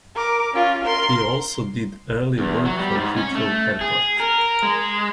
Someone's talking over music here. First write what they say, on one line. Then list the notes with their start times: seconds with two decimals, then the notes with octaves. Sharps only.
He also did early work for Heathrow Airport.
0.15 A#4 D6
0.54 C#4 F4
0.85 A#4 C6
2.38 E2
2.65 F#3
2.79 G3
2.95 G#2
3.17 C#4
3.35 A3
3.81 G#4
4.20 A#4
4.63 G#3